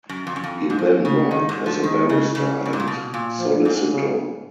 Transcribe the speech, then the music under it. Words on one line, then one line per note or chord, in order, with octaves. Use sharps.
He then worked as a barrister and solicitor.
F#2
F2
F#2
F2
G#2
F#2 F3
C#3
D#3 G#3
G#2
F3
D#3 G#3
C#3
C#3
F#2
G#2
A#2
B2
A#2
F3
G#2
C#3